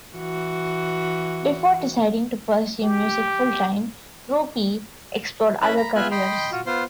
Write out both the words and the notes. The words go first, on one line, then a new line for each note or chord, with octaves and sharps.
Before deciding to pursue music full-time, Rupee explored other careers.
E3 F#4
G4
C#4 E4 B4 E5 B5 F#6
A#5 B5
B3 F4 E5 G#5 F#6
D#5 G5 B5 C6
F4 F#4
B3 F4 C5 C6